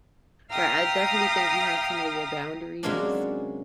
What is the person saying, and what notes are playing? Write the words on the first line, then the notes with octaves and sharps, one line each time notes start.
Right, I definitely think you have to know your boundaries,
E5 F5 G5 A#5 D#6 F6
C3 F#3 G#3 A#3 C#4 D4